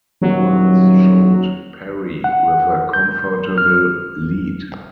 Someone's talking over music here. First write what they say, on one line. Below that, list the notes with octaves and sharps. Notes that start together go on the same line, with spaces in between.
Polls showed Perry with a comfortable lead.
D#1 F#3
F#5
G6
F6